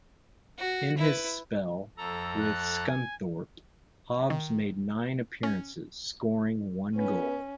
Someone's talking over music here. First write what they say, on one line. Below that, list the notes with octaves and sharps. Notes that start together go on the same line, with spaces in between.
In his spell with Scunthorpe, Hobbs made nine appearances, scoring one goal.
F#4
E4 B4
F2 A4 A#5 E6
F#6
G#5
D#3
C#4
B3 C#4